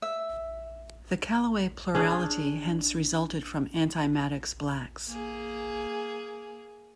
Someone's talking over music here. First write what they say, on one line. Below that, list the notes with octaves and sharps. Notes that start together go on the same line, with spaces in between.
The Callaway plurality hence resulted from anti-Maddox blacks.
E5
C#4 D4 G#4
A#3 G#4